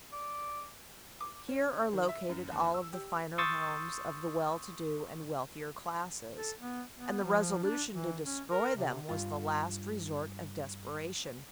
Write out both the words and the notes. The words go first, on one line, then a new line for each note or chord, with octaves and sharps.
Here are located all of the finer homes of the well-to-do and wealthier classes, and the resolution to destroy them was the last resort of desperation.
D5
D6
C#4
D#3
E5
F#2
D#2
E6
G4
C6 C#6 D#6 E6 G6 A6
A4
B3
B3
F3
D4
E3
C#4
A#4
C3
G2 F4